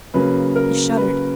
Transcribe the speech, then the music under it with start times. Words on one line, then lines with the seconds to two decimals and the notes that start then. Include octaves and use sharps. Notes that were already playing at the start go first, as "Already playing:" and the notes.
He shuddered.
0.14 C#3 F#3 A#3 B4
0.55 A#4
0.97 B4